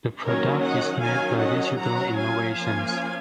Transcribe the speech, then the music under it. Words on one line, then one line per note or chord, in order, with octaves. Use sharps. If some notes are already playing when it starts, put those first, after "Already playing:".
The product is made by Digital Innovations.
D#3 F#3 A#3 C#4 A#4 C#5
D#5 F#5
D#3 F#3 C#4 F5 G#5
D#5 F#5
F#3 C#4 F#5 A#5
F5 G#5
F3 A#3 C#4 F5 G#5